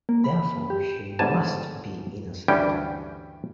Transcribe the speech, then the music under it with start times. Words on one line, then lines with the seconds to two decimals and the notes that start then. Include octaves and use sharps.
Therefore she must be innocent!
0.09 A#3
0.24 B5
0.70 G4
1.19 G1 G#2 G3 G#5 A5
2.48 D2 G2 E3 G3 C#4 G5